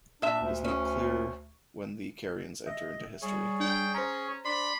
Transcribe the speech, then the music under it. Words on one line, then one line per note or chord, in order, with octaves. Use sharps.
It is not clear when the Carians enter into history.
A#2 D4 E5
D2
C#4
D#5 E5
G3 G#4 C#5
D4 G5
C#4 C5 A#5
D4 D5 B5 C6